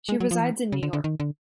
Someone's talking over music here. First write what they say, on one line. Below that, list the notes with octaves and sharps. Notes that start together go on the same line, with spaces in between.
She resides in New York.
G#3
F#3
F3
E3
C#3
D3
D3
D#3
D3